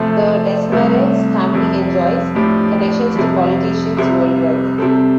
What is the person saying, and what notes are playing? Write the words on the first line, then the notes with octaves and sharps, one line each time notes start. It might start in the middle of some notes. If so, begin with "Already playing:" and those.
The Desmarais family enjoys connections to politicians worldwide.
Already playing: C3 F3 A3 C4 A4
C2 C3 A3
F2 C3 G3
A2 F3 D4 G4
F2 C3 G3
C2 C3 G3
C3 G3 C4 A4